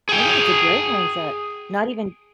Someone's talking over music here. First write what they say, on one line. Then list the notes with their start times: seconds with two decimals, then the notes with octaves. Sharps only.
I think it's a great mindset. Not even
0.09 G#4 G5